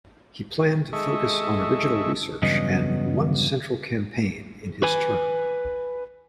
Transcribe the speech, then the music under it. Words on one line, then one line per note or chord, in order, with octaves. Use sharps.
He planned to focus on original research and "one central campaign" in his term.
G#3 A4 D#5 E5 C#6
E2 G2 C#3 F#3 B3 D#5
B4 G#5